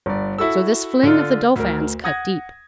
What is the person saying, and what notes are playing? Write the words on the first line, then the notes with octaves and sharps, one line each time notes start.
So this fling of the Dauphin's cut deep.
G1 D5
E4 F#4 A4 E6
D3 F4
D2 A#4
F#5 D#6 G#6 A#6